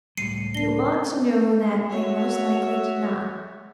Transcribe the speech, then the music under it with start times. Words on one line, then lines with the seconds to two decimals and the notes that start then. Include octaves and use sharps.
You ought to know that they most likely did not.
0.17 C#2 A2 G3 C7 C#7 D#7
0.54 D4 A#4 A#6 C7 G7
1.90 F#4 C#5 E5